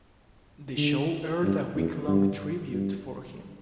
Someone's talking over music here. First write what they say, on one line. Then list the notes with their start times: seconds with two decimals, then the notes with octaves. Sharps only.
The show aired a week-long tribute for him.
0.77 D3
1.43 G2
1.75 E2
2.08 G2
2.73 G2